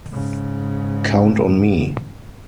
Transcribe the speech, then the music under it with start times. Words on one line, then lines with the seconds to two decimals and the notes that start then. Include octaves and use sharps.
Count on me...
0.11 G#2 C#3